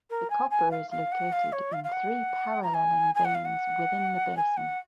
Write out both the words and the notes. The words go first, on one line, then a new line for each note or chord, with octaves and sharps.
The copper is located in three paralleling veins within the basin.
A#4
G#5
G#5
F5
F5
F#5
F5
C#5
F5
F5
F#5
A#5
G#5
G#5
F#5
F5
F#5
G#5
F#5